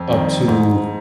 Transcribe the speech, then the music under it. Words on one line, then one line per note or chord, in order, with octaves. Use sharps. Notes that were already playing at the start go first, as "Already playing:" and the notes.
up to"
Already playing: F2
D#3 G3 C4
G#2